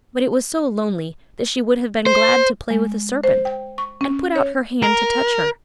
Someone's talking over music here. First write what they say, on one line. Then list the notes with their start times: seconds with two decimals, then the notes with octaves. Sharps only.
But it was so lonely that she would have been glad to play with a serpent, and put out her hand to touch her.
2.06 C5
2.70 G#3
3.24 C5
3.45 G5
3.78 C#6
4.01 C#4
4.36 C#5
4.83 A#4